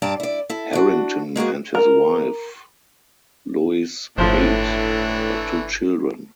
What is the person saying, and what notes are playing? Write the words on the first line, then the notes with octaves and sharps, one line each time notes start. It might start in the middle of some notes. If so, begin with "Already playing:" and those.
Herrington and his wife, Lois Haight, had two children.
G2 D5 A5 A#5
E4 D5
E4 A4
D4 F#4
G#3 A#3 F#4 G#4
A#4
G1 A2 E3 F3 A3 D4 C5